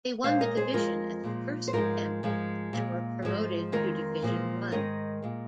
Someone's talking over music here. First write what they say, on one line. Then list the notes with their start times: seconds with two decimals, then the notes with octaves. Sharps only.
They won the division at the first attempt, and were promoted to Division One.
0.24 A#2 G#3 C5 F5
0.41 A#4 D#5
0.57 G#4 C5
0.73 F2 F3 G#3 F4 A#4
1.24 A#2 F3 G#3
1.68 C5
1.73 G#2 F3 G#3 F4 A#4
2.23 G#2 F3 G#3
2.73 A#2 G#3
3.22 G#2 F3 G#3
3.72 F2 D#3 G#3 F4 A#4
4.22 A#2 F3 G#3
4.72 G#2 D#3 G#3 A#4 D#5
5.22 A#2 G#3